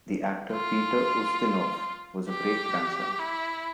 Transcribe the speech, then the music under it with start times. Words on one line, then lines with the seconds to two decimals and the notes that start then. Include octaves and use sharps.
The actor Peter Ustinov was a great-grandson.
0.52 F4
2.30 G4
3.19 E4